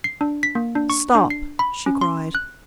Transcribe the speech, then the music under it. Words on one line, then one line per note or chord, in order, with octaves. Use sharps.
"Stop!" she cried.
C7
D4
B6
A#3
D4
C#6
D4
C7
B5
C#4
C6
F#6